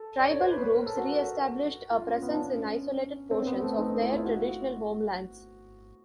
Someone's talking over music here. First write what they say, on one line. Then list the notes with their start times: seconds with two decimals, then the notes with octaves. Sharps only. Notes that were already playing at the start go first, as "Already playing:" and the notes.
Tribal groups reestablished a presence in isolated portions of their traditional homelands.
Already playing: A4
0.20 D5
0.30 C#5
0.41 C5
0.51 B4
0.63 B4
0.75 A#4
0.86 A4
0.98 F#4
1.91 F4
2.07 C#4
2.22 B3
2.30 D4
2.38 C#4
3.31 C4
3.42 C4
3.47 B3
3.63 A3
3.78 D#4
4.02 E4
4.09 F4
4.16 E4
4.25 F#4